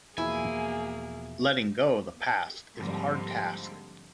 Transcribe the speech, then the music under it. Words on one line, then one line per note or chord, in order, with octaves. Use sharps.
Letting go of the past is a hard task.
E2 B2 F3 A#3 E4 G#4 G#5
G#2 D3 F3 G3 A#3 C4